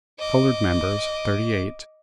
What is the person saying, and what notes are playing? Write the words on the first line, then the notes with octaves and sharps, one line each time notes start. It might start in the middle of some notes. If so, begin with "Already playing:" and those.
Colored members, thirty-eight.
D#5 D6